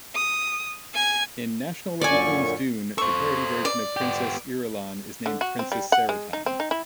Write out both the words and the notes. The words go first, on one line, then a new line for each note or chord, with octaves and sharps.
In "National Lampoon's Doon", the parody version of Princess Irulan is named Princess Serutan.
D#6
G#5 G#6
F#2 A#2 D3 D5 G#5 C#6
A4 C5 C#6
D5
B3 G4
D3
F#4
C4
G3
F#5
G#3
D#4
C4
D#4
E4